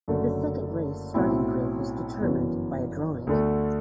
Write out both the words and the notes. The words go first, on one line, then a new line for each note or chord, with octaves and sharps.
The second race starting grid was determined by a drawing.
F#1 F#2 D3 A3
B1 A2 F#3 C4 E4
G1 F#2 E3
D2 D3 A3